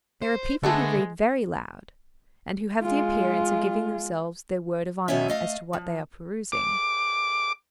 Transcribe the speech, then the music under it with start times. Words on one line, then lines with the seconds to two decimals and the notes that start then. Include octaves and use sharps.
There are people who read very loud, and who have the appearance of giving themselves their word of honor as to what they are perusing.
0.22 C5
0.63 D3 G#3 A3 B3 A4
2.82 G#3 F4
5.08 D2 B2 F#3 C#4 E5
5.28 A3 D#5 F5
5.73 F3
6.52 D6